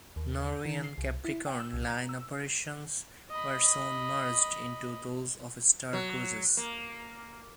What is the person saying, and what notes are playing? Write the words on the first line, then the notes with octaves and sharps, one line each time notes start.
Norwegian Capricorn Line operations were soon merged into those of Star Cruises.
D#2
G6
D#3
C7
C2
E4
G5
E6
C2
A#5
E6
D#5 B5
F#3
A#3